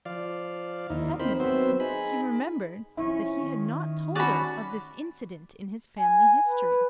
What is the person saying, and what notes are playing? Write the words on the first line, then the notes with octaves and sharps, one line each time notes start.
Suddenly he remembered that he had not told her of this incident in his family history.
F3 D5 F5
D#2 D#4 E4
C4 D#4 A#4 C5 B5
F#3 B3 C4 C5 E5
D#4 G#4 B5
F3 C#4 E4
D#3
C#4 F#4 D5 B5
G#5
B4